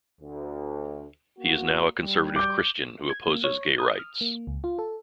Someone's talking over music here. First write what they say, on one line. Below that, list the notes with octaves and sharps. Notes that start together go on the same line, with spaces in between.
He is now a conservative Christian who opposes gay rights.
D2
A#3 F#4
G3
D6 G6
G#6
A#3
C#5
D#6
F6
A#3
C#2
F4
A4